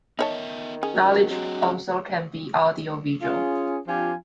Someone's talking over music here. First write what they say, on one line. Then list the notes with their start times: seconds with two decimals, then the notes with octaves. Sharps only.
Knowledge also can be audio-visual.
0.19 D#3 B3 D#4 A#4 C#5 E5 A5
0.83 C#4 G#4
0.94 F#3
1.30 F#3 G#3 C4 D4 G5
1.63 C#3
3.22 C#4 F4 G#4
3.87 F3 C4 D4 F4 G4 G#5